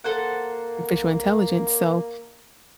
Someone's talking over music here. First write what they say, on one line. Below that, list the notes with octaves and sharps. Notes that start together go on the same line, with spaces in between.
artificial intelligence, so,
A#3 A4 C5 F#5